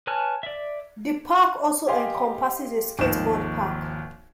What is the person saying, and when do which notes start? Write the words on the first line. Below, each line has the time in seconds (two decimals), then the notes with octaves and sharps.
The park also encompasses a skateboard park.
0.07 B4 C#5 G#5 A5 F6
0.43 D5 E5
1.88 G4 D#5 F5 G#5 C6
2.99 G#1 D#2 F3 D#4 E7